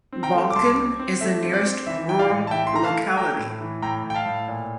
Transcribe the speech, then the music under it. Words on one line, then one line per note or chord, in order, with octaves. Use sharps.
Balkan is the nearest rural locality.
C4
G5 A#5
A3
D6
C2 A5 C6
C4
C4
A3 E5
C4
D5
C4
E3 E5
E3 G5
D5 F5
A2
A5
E3 E5 G5
C6
A3 A#5
F5 A5
A3
A3 G5 A#5
A2
E3
A2 G5 A#5
A2
G5
F5 A5
A2
A#2